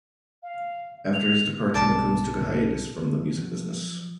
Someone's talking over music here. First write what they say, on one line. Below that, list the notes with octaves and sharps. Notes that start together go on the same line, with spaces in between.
After his departure, McCombs took a hiatus from the music business.
F5
F7
B1 D5 A5
F3 F#3